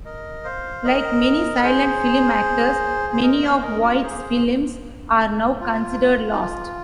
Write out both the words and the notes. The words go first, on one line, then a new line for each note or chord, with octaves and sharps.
Like many silent film actors, many of White's films are now considered lost.
A#4 D#5
C5 F5
A#4 D#5
G#4 C5
C5
A#4 D#5
C5 F5
A#4 D#5
F4 A#4
D#5
G#4 C5
F4
D#4
F4